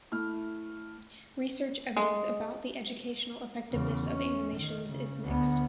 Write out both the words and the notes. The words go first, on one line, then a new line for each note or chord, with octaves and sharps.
Research evidence about the educational effectiveness of animations is mixed.
A3 E4 F6
G#3
E2 C#3
C#4
D#3
C#3
D2 B3